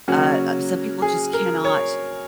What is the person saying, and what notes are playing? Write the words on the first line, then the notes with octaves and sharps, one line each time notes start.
uh, some people just cannot
C#3 F#3 A#3 C#4 F#4
G#4
A#4
C#5